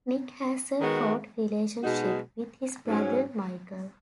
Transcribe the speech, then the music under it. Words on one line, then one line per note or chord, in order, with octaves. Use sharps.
Nick has a fraught relationship with his brother, Michael.
D#3 G#3 B3 F#4
B2 G#3 D#4 F#4
G#2 F#3 C#4